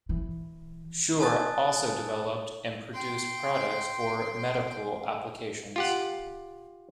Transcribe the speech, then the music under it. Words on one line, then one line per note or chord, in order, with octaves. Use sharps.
Shure also developed and produced products for medical applications.
E3
G#5 A5 D#6 F#6 A6
G5 C6
F4 G4 F#5